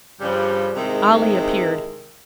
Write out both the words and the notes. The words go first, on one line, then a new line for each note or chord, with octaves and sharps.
Ali appeared.
G2 C#3 F3 G3
G#2 C3 D#3 G#3 E4